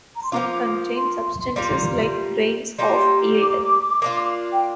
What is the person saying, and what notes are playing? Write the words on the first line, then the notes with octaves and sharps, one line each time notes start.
Some contain substances like grains half peeled.
A#5
C6
F3 A#3 F4 D6
C6
G3 A#3 F4
G3 A#3 G4 C6
D6
A#3 D4 F4
G5